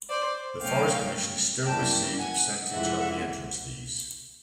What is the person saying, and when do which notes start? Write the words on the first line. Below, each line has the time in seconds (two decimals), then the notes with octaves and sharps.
The Forest Commission still receives a percentage of the entrance fees.
0.08 C5 D5
0.60 B2 F#3 A3 C#4 F5 G5
1.66 F#2 C#3 E3 G3 A#3 G5 A5
2.18 F#5 G#5
2.70 F2 C3 E3 G#3 E5 F#5